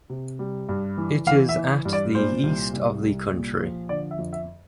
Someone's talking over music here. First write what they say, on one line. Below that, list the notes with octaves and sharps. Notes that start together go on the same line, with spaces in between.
It is at the east of the country.
C3
G3
G2
E3
E3 F5
E5
E3
G2
D5
A#2 C5
C2
C2
C2
A#2
F3
D3 D5
E5
F2
E5